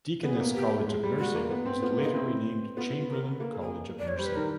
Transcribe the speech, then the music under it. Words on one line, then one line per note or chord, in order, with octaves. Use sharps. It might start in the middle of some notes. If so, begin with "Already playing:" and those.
Deaconess College of Nursing was later renamed Chamberlain College of Nursing.
B3 G#4
B3
A#3
G4
G#3
G3
G#3 F#4
A#3
B3
C4
B3 F4
A#3 D#4
C4 E4
B3 F4
E4
F4
A#4
A#3 A#4
A4
G#4
D5
C#5
G3 C5
B4
D#3 A#4